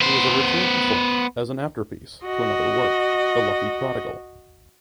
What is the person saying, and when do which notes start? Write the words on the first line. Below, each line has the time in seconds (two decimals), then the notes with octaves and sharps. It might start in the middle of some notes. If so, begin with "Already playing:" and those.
It was originally performed as an afterpiece to another work "The Lucky Prodigal".
0.01 B3 C5
2.25 F#4 D#5